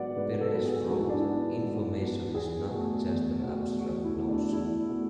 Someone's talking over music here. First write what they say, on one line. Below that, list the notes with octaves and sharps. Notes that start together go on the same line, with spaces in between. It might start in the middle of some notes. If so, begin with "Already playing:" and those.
Peres wrote, Information is not just an abstract notion.
Already playing: G#2 F#3 B3 D5 F#5
G#2 B4
A4
F#3 B3
G#4
G#2 F#4
E4
D4
E4
B3
F#3
G#2
F#3 B3
E2 G#4
B2 A3
E2
B2 A3
E2 F#4
E4
B2 A3
D4
E2 E4
B2 A3